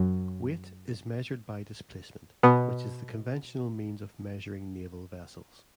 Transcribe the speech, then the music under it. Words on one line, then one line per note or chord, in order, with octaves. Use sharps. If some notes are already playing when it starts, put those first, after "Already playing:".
Weight is measured by displacement, which is the conventional means of measuring naval vessels.
Already playing: F#2 F#3
B2 B3